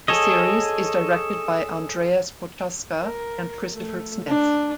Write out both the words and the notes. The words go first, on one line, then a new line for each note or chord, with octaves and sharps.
The series is directed by Andreas Prochaska and Christopher Smith.
G#4 A4 C#5 D#5
A#4
A3
D4